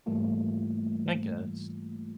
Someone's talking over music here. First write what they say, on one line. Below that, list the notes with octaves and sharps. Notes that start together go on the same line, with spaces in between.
I guess.
G#2 E3 G3 A3 A#3 F4